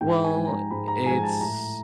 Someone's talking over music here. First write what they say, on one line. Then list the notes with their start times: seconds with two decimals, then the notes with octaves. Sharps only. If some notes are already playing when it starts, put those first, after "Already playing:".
Well, it's
0.01 G#2 G5
0.24 G#5
0.36 F3 G#3
0.47 A#5
0.71 G#2 B5
0.88 A#5
1.06 F3 G#3 G#5
1.23 A5
1.41 A2 A#5